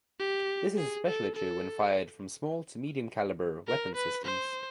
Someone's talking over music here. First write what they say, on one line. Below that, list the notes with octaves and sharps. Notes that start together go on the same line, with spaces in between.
This is especially true when fired from small to medium calibre weapon systems.
G4
G#4
A4
A4
A#4
B4
C5